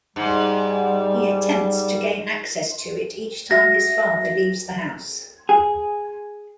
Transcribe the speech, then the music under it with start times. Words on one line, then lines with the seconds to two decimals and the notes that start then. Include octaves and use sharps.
He attempts to gain access to it each time his father leaves the house.
0.16 G#2 G3
3.51 F#4 E5 A#6
5.49 G#4